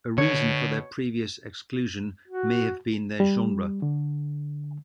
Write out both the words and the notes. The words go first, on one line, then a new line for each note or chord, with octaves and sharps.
A reason for their previous exclusion may have been their genre.
B2 D3 C#5
F#4
G3
D3